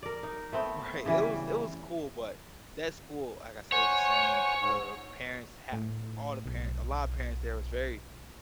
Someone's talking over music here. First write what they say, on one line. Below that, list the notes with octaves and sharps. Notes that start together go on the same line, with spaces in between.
Right. It was it was cool, but that school, like I said, it was insane. The parents had all the parent a lotta parents there was very
A#4 D5
D#4
A3 B3 C4
C#3 E3 G3
C5 C#5 F#5 G#5
G#2
A2
B1